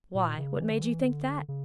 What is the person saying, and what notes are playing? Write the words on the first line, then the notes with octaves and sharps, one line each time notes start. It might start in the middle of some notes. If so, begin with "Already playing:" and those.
Why, what made you think that.
A#2
C#3
E3
D3
E3
D3
C#3